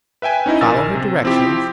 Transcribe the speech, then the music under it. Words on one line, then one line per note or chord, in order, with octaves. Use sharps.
Follow her directions.
B4 E5 G5 G#5
C#4 D#4 E4 D#5
A#1 A#4 G#5 E6 A6
C3
F3 C4 E4 G4